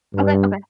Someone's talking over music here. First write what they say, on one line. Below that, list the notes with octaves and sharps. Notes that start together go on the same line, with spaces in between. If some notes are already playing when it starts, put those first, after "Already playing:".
Okay, okay.
G2